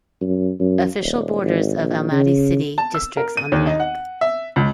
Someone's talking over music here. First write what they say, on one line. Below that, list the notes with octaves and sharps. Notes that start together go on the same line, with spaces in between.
Official borders of Almaty city districts on the map.
F#2
F#2
D#1
G#1
A#1
C#3
A5
E6
A#4
D#7
D#2
D#4
F#5
E5
C#2